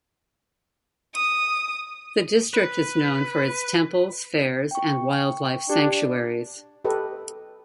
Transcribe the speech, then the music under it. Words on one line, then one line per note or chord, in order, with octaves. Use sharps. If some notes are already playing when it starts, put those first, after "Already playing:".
The district is known for its Temples, Fairs and Wildlife Sanctuaries.
D#6
B4
G5 C#6
D4 G4
G4 A4 B4 D#5